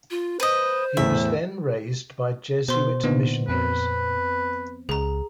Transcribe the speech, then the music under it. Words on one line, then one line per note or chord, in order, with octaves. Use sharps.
He was then raised by Jesuit missionaries.
F4
B4 C5 D#5
E2 A2 E5
B2 C5 C6
A#2 D3 B3 D#4
F2 B3 C4 B4
C#2 G#4 A#5